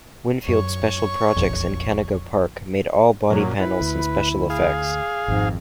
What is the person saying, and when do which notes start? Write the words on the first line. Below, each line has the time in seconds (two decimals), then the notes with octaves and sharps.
Winfield Special Projects in Canoga Park made all body panels and special effects.
0.48 F#2 C#5 C#6
1.36 E1 A#1 F2
3.30 F#2 A#2 F#3
3.60 E4 B4
3.81 D2
4.50 G#4 F5
5.28 G#1 F2 G#2